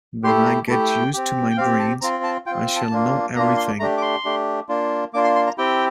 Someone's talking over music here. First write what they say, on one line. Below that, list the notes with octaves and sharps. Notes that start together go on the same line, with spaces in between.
When I get used to my brains I shall know everything.
A3 E4 G4 C6
A#5
A3 E4 G4 A5
G5
C4 G4
G5
C4 G4 F5
A5
C4 F4 A#5
A5
C4 F4 G5
A5
A#3 D4 F4
A#3 D4 F4 A#5
C6
A3 D4 G4 A#5
D6
C6
A3 D4 G4
A#3 D4 F4
A#3 D4 F4 D6
C6
C6
A#5
C4 E4 G4 G5